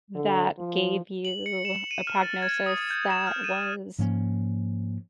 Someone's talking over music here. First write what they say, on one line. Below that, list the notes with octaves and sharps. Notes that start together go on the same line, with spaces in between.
that gave you a prognosis that was
D3
F3
F#7
C#7
E7
D#7
F6
A6
G#6
D#6
G6
E7
F6
D#7
G#2 F3 A#3 C#4